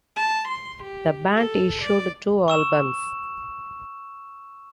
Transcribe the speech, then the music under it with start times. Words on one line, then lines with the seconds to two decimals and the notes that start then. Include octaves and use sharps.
The band issued two albums.
0.16 A5
0.48 C6
0.83 G4
1.36 A4
1.82 D5
2.48 C#6 E6 E7